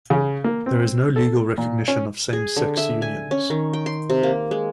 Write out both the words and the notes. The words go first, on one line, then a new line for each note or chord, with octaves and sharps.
There is no legal recognition of same-sex unions.
C#3
A#3
C4
A4
A#2
C#4
G#4
D3
E5
G#5
C#4
D#3
G5
C6
C3
A#3
G#3